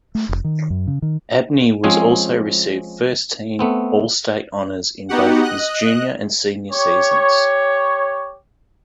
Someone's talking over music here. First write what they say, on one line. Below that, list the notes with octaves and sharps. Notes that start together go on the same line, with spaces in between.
Abney was also received first-team all-state honors in both his junior and senior seasons.
A3
F1
D#3
F#2
C#3
D#3
F3 G#3 C4 C#4 G#4 G#5
A3 B3 C4
B3 D#4 F#4 G4 F#5
D#5 F#6
G4 C#5